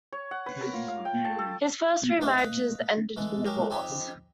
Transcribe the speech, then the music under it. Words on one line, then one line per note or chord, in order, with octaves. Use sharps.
His first three marriages ended in divorce.
C#5
F#5
B4
A#4
F4
F5
G5
A5
A4
A3 B3 D4 D#4 C5 G#5
B4 D#5 F5
E3 G#3 A4
F#3 G#3 G4 A#4
F2 C4 D#4 G4 G#5 B5